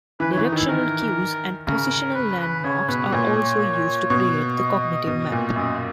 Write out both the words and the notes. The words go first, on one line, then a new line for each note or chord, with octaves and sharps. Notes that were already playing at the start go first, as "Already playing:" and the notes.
Directional cues and positional landmarks are also used to create the cognitive map.
E3 B4
C#5
E3
D#4
D#3 E4
D#3 A#4
C#3 A#4
B4
B4
C#3 C#5
B2 B4
A#2 C#5
C#5
B2
D#5
B2
A#2
F#2 D#5